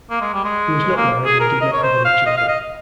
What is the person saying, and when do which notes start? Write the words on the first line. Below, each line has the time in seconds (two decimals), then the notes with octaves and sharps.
He was not married and did not have any children.
0.10 A#3
0.21 G#3
0.34 G3
0.45 G#3
0.97 A#3
1.26 G#4
1.40 A#4
1.62 D#5
1.73 C#5
1.83 C5
2.05 F5
2.27 D#5
2.37 F5
2.48 D#5